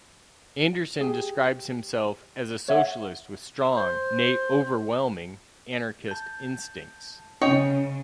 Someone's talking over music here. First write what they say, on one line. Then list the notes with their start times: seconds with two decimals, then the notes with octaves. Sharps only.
Anderson describes himself as a socialist with strong, nay overwhelming, anarchist instincts.
1.01 G4 G#4
2.68 C#5 E5 F#5
3.77 C5
6.08 A5 G6
7.42 C#3 C#4 C#5 D#5 G5